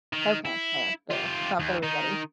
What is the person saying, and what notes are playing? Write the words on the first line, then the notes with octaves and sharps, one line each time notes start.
Okay, fair, fair. It's not for everybody.
D#3
E4
F4 G4
D#2
D#3 D#4